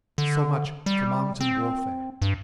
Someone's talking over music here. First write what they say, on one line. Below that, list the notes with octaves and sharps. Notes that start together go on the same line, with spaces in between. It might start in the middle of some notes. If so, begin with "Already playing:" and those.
So much for mountain warfare.
D3
G3
C4
G2